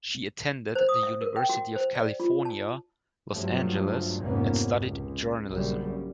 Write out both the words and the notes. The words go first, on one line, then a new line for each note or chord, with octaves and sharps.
She attended the University of California, Los Angeles, and studied Journalism.
C5
D#6
E5
A#4
G5
F#4
C5
D5
F4
A5
G2 F3 F#3 A3
F1 F2 G#2 A#3 B3 C#4
C#2
A#1 F#2 C#3 G3